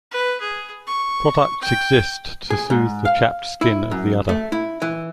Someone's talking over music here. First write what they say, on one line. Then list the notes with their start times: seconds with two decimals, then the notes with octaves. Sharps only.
Products exist to soothe the chapped skin of the udder.
0.11 B4
0.40 G#4
0.87 C#6
1.62 G5
2.50 G#4
2.70 G#2
3.05 F5
3.61 E4
3.91 F#2
4.29 A3
4.52 E4
4.82 E3